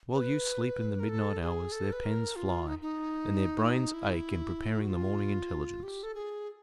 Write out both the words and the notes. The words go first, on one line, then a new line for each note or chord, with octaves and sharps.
While you sleep in the midnight hours, their pens fly, and their brains ache in preparing the morning intelligence.
B4
A#4
A4
G#4
A4
B4
A#4
F4
D#4
D#4
E4
F#4
F4
G4
A4
G#4